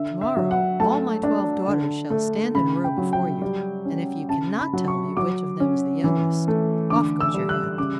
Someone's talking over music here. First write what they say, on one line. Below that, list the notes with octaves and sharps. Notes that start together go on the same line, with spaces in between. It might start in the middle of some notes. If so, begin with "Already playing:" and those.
To-morrow all my twelve daughters shall stand in a row before you, and if you cannot tell me which of them is the youngest, off goes your head.'
Already playing: D3 E5
E5
F#3
F#5
A3 A5
D4
D3
A3
C#3 B5
G5
F#3
G5
G3
C#4
C#3 A5
B5
F#3
C#6
F#3 D6
C#4
E3
A3
D3 D6
E6
G3
F#6
C#3 D6